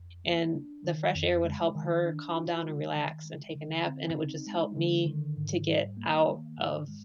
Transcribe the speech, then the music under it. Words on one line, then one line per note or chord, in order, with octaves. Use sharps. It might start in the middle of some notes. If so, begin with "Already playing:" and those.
and the fresh air would help her calm down and relax and take a nap, and it would just help me to get out of
Already playing: F2
A#3
D4
D#3
F2
G#3
D#3
D4
F4
G#3
D#3
G#3
D3
C4
D#4
G#3
D3
D#3
G#2
G3
A#3
D#3
G#2
G#3